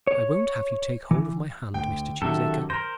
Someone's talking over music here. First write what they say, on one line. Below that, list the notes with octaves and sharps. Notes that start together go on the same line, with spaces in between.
I won't have you take hold of my hand, Mr. Cheesacre.
C#5
E3
D2 G5
F#2 D#3 F#4 G4 A4 E5
A#4 C5 A#6